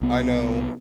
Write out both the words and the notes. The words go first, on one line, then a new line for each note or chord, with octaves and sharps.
I know
C2 B3